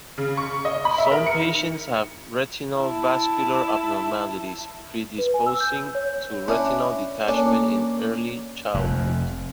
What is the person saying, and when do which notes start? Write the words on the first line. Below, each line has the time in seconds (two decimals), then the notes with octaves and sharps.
Some patients have retinal vascular abnormalities predisposing to retinal detachment in early childhood.
0.18 C#3
0.37 C#6
0.65 D#5
0.85 B5
0.98 E5
1.12 A#4
1.26 C#7
1.41 D#3
2.78 E4 A5
5.18 B4
5.34 G#5
5.46 E6
5.60 G6
5.95 C#5
6.48 C#4 D4 E4
7.28 A#3 C#4 D4 A4
8.74 F1 F2